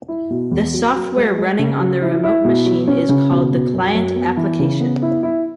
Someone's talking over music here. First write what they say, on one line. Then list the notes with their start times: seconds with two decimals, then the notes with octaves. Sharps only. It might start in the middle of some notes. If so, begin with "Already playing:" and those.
The software running on the remote machine is called the client application.
0.08 E4
0.30 B2
0.51 E2
0.74 F#3
0.95 F#3
1.16 G#3
1.38 G#3
1.59 C#3
1.80 F#3
2.02 E4
2.23 E4
2.45 B2
2.66 F#3
2.87 C#4
3.09 C#3
3.31 B2
3.52 B2
3.74 F#2
3.94 F#2
4.16 B3
4.37 E3
4.59 C#3
4.80 B3
5.02 E4
5.23 E4